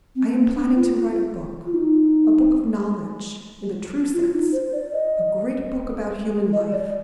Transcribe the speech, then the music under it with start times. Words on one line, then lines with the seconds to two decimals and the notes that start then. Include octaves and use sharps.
I am planning to write a book--a book of knowledge, in the true sense--a great book about human life.
0.15 C4
0.35 A#3
0.55 D4
0.75 F4
1.66 F4
1.74 D#4
4.14 F4
4.33 D#4
4.53 C5
4.73 D5
4.93 D#5
6.53 D#5
6.72 D5